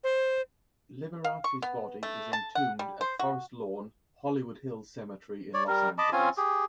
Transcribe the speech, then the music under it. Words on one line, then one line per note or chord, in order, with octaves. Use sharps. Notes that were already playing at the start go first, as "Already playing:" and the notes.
Liberace's body is entombed at Forest Lawn, Hollywood Hills Cemetery in Los Angeles.
C5
F5
C#6
B3
A3
A5
F#5
G3
C5
F#4
C#5 D5
G3 A#4
D#5 A5 B5 D6
C4 C#4 F4 G#5
G4 G#4